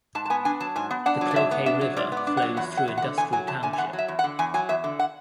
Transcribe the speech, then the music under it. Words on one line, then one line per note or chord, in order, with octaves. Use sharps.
The Cloquet River flows through Industrial Township.
G#2 A5
A5
B3 G#5
D4 G#5
F#3 A5
G#2 G#5
B3
D4 F#5
F#3
D5
G#2 E5
B3
D4 E5
F#3
G#2 D5
B3 D5
D4
F#5
F#3
E2 F#5
F#3
F#5
E2
F#5
D3
E2 G#5
F#3 G#5
E2 A5
D3 G#5
G#5
E2 F#5
F#3
E5
E2
F#5
D3
E2 G#5
F#3 G#5
E2 E5
D3
F#5